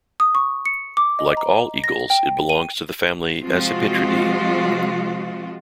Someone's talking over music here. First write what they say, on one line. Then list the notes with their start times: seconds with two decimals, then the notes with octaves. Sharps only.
Like all eagles, it belongs to the family Accipitridae.
0.20 D#6
0.35 C#6
0.66 C#7
0.97 D6
1.19 D#5
1.37 A#5
1.84 A#6
2.10 G5
2.49 D#7
3.41 C3 F3 G#3 C4 F4 F#4